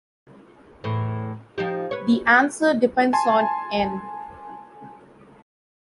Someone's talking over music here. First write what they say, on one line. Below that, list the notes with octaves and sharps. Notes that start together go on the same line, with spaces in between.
The answer depends on "n".
E2 A2 E3
F3 D#4 G4
B4 C#5
G#5 A5 C6